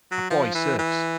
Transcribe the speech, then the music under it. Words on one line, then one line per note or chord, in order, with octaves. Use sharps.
A boy surfs.
F#3
F3
E3
E3